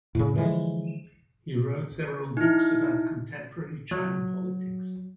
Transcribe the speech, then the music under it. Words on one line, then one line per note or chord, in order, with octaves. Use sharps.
He wrote several books about contemporary China politics.
A2 C#3
D3 E3 F3 G#3
D#4 E4
F#3